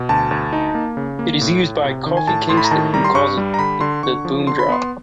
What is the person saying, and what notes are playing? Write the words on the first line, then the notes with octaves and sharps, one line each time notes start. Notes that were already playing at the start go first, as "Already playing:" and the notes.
It was used by Kofi Kingston, who calls it the "Boom Drop".
Already playing: B2
D2 A5
D2
D#4
A#3
C#3
A#3
A2
A2
C3
D#3
G#5
A2 A5
A2 C6
B5
A#5
D#3 A5
G3 A#5
C6
G2 C#6
G3
A#5
D3 B5
D3 C6
D3 C#6
F3
D3 C6
B5
B3 C6